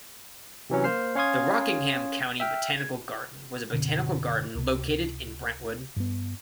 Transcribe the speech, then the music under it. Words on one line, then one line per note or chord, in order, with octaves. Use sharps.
The Rockingham County Botanical Garden was a botanical garden located in Brentwood.
C3 E3 F#3 C#4
A#3 C5 F6 C7
C#4 C#5 F5 C6 D#6 G#6
E5 G5 F6
G#6
F#1 B2 D3 C4
C#2 C3
G2 B3